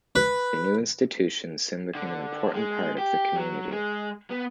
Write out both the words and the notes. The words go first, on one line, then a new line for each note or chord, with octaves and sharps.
The new institution soon became an important part of the community.
B4
D3
G#3
G4
F#3
G#3
B3